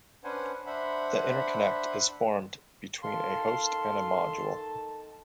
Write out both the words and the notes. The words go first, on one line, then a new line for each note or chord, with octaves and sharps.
The interconnect is formed between a host and a module.
C#4 D4 B4 C5 F#5 G#5
D4 C5 E5 F#5 B5
D#3 A4 F5 A5 C6